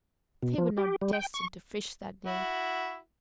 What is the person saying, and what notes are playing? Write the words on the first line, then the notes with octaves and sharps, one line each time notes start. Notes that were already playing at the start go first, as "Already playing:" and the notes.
They were not destined to fish that day.
B2
F3
G4
G3
G5
C#6
E4 F#4